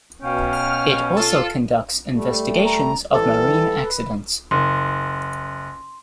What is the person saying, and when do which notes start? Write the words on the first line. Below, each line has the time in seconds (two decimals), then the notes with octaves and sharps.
It also conducts investigations of marine accidents.
0.22 B2 C#4 F5 G5
0.53 F6
1.16 F4 A4
2.13 G3 A3
2.65 A#5
3.12 E3 G3 A4
3.80 B4
4.51 F#1 C6